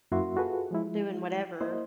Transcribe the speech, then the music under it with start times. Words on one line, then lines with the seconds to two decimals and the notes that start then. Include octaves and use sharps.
doing whatever,
0.12 F#2 A#3 E4 F#4 E5 C6
0.36 F4 F#4 G#4 A4 B4
0.71 F3 G#3 E4
1.61 A#3 E4 C5 D#5